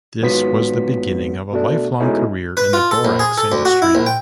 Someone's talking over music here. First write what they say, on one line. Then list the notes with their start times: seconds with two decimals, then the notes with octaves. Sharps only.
This was the beginning of a lifelong career in the borax industry.
0.21 G#1 G#2 F#3 B3 F4 B6
1.52 B2 A3 D4
2.00 B2 G#3 A3 C#4 D#4 E4
2.57 B4
2.73 F4
2.91 A4
3.05 A#1
3.19 G#4
3.38 A4
3.52 D2
3.65 F#4
3.82 E4
3.95 A#1
4.07 G5